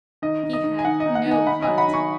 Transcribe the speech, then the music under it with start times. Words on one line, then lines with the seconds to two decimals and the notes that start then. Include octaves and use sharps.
He had no heart.
0.22 D#3 D#5
0.43 D#3
0.53 D#5
0.64 D#3
0.79 G#5
0.85 D#3 F#5
1.00 D#5
1.06 D#4
1.15 F#5
1.26 D#3
1.31 D#5 G#5
1.47 D#3 F#5 B5
1.62 D#5 G#5
1.67 F#3
1.78 F#5 B5
1.88 D#3
1.93 G#5 C#6